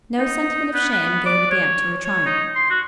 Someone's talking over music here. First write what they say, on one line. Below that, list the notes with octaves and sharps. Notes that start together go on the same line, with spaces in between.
No sentiment of shame gave a damp to her triumph.
D#4
B3
B3
D5
C#5
C#5
D#4
C6
F#4